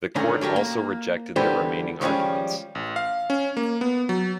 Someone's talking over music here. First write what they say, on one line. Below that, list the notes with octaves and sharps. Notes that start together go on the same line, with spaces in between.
The court also rejected their remaining arguments.
G#2 D3 D#3 C#4 A#4
D3 F#3 G3 A#4
A#3
E2 D3 E3 G3 B4 C5
D#3 F3 G3 G#3 C#4
A1
F5
C#4
A#3
B3
F#3